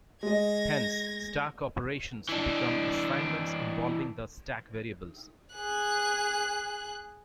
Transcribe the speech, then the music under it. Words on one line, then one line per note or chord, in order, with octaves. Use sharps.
Hence stack operations become assignments involving the stack variables.
G#3 D#5 G#6 A#6
E3 D4
G#4 F#6